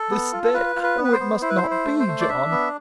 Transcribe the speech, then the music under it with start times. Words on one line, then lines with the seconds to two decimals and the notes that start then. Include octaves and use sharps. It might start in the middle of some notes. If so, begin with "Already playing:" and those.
This day--oh, it must not be, John!
Already playing: A4
0.10 B3
0.32 F4
0.43 A4
0.54 F4 B4
0.76 F4
0.83 B4
0.98 B3
1.04 B4
1.13 C5
1.20 B3
1.42 E4 C5
1.50 B4
1.57 C5
1.63 E4
1.71 C5
1.85 A3
1.99 C5
2.07 A3
2.21 D5
2.29 D4 E5
2.51 B3